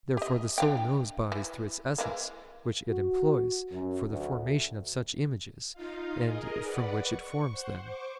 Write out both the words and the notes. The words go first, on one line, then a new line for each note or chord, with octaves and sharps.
Therefore the soul knows bodies through its essence, which it employs for the formation of such images, and from which it forms them.
G4 D#5
D4 F5 G5
E3
E3 G#3 A#3
F#4
F#2
D2
D#4 F4 F5
G#4 A#4 D#5
B4 D5 F#5
C#6
C5 F#5
C5 C#6 D6